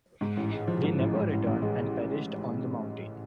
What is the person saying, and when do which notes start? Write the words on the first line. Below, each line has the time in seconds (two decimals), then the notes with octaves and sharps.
They never returned and perished on the mountain.
0.21 G#2
0.37 A1
0.52 G#3
0.68 F3
0.84 G#2
0.99 A1
1.15 G#2
1.31 A1
1.47 A1
1.62 G#3